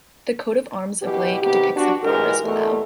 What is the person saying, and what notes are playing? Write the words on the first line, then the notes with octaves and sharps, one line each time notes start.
The coat of arms of Lage depicts a farmer's plough.
B2 E3 G4
C3 D#3 B3 G4
D4 F#4
G#2 E3 G#3 G4 A#4
E2 B2 E3 A3